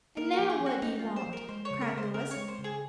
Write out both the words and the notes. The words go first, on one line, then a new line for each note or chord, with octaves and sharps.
"And now what do you want?" cried Louis.
A#3 A#4
A#4
F3
G#4
F3
F#4
C#4 D#4
F4
A#3
C5
F3
A#4
G#3 C5
C#5
C#3
A#4
C#3 C5
C4 A#4
C#5
G#3
C5
C#3
G#4